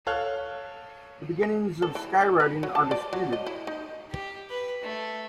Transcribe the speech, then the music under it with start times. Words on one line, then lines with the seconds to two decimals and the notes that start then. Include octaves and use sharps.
The beginnings of skywriting are disputed.
0.07 A4 C#5 F5 F6 F#6
1.82 A4
1.95 E3
2.21 D4
2.40 B4
2.63 F#3
2.75 A5
2.91 D5
3.13 F#3
3.32 D#5
3.46 E4
3.67 D#4
4.11 G4
4.50 B4
4.82 A3